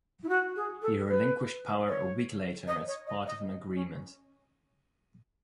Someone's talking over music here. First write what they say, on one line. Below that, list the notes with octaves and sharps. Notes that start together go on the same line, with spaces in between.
He relinquished power a week later as part of an agreement.
E4
F#4
G#4
A4
B4
C#5
D#5
C#5
D#5
D#5
C#4